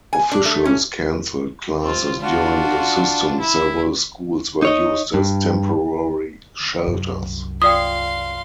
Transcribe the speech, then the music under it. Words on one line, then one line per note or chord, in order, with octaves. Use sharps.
Officials canceled classes during the system; several schools were used as temporary shelters.
G#5
D4
A3
C#4
C4 F4
D4 F4 F#4
E4
D#4 C#5 D#5
G2
C2 F#2
F4 D5 F5 G5 C6 D#6